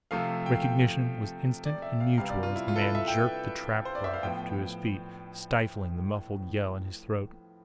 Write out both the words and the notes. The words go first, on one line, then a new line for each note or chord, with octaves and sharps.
Recognition was instant and mutual as the man jerked the trap-robber to his feet, stifling the muffled yell in his throat.
C3 F3 A3 F5
G5
F5
G5
D5
E5
F5
C3 G3 B3 F5
D5
F4
E4
F4
A4
B4
E5
G5
C5
D5
E5
F5
A2 F3 B3 G5